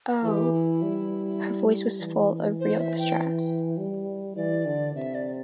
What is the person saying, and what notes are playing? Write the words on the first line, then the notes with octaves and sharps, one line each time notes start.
"Oh — " Her voice was full of real distress.
E3 G4 A4
E4
G3
E3
C5
E5
G5
G3
E3 D5
D3
C3 E5
D5